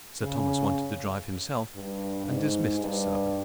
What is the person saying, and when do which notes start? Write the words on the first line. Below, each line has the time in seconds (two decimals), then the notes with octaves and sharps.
Sir Thomas wanted to drive himself and dismissed his servant.
0.22 C#3
1.75 G2
2.27 G#2
2.79 G2